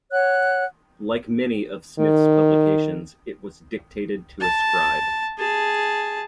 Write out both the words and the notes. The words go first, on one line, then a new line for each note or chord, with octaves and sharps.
Like many of Smith's publications, it was dictated to a scribe.
C#5 F#5 F#6
D#3
A5
G#4 A5